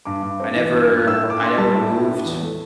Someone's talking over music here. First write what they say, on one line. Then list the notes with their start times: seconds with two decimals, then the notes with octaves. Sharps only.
I never I never moved.
0.05 G2 D6
0.23 G2
0.40 C4
0.56 E3
0.73 G2
0.91 G2
1.06 A2 E6
1.24 A2
1.30 D6
1.41 D4 C6
1.58 G3 A5
1.75 A2
1.92 A2
2.08 D4
2.25 E2
2.42 A3